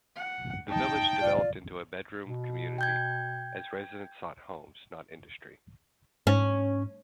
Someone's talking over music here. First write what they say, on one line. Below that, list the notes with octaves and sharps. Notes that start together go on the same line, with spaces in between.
The village developed into a bedroom community as residents sought homes, not industry.
F#5
D#4 G5 A5
F4 D5
B2
G5 G6 G#6
G#2 C#4